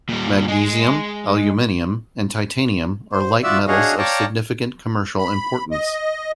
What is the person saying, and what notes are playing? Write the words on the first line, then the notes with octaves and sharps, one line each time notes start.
Magnesium, aluminium and titanium are light metals of significant commercial importance.
A#2 G3
G#3 G#4
C5
F4 F#4 D5 E5 E6
D4 F#4 G#4 C#5 D#5 F5
C#5 D5 F5 G5 A5 A#5
B5
D#5